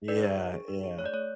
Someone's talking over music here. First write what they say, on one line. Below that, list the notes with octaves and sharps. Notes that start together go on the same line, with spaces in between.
Yeah, yeah.
D4 B4 D5
G#4
D4
G#4
D4
G#4
A3 C#5
D5
A3 C#5